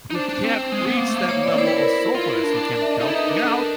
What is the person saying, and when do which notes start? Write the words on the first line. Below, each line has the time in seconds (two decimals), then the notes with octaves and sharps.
who can't reach that level of soulfulness. He can belt it out.
0.10 D#4
0.15 D4 C5
0.29 D4
0.43 C4
0.72 G#3
0.86 B3
0.97 A#3
1.08 A3
1.18 A#3
1.29 A#3 C#5
1.43 A#3 D5
1.58 E4 C5
1.67 B4
1.77 A#4
2.15 F4
2.29 E4
2.43 D4 A#4
2.57 A#4
2.72 D5
2.81 E5
2.91 D#5
3.01 D#4 A4
3.08 E4
3.15 D#4 B4
3.29 D4 A#4
3.37 D#4
3.43 D4 A4
3.57 A#4